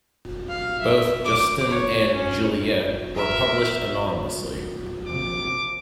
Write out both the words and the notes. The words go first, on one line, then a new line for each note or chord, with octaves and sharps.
Both "Justine" and "Juliette" were published anonymously.
F5
E5
D6
C#5
C#4
A#4 E5
D#2 C3 F3 D6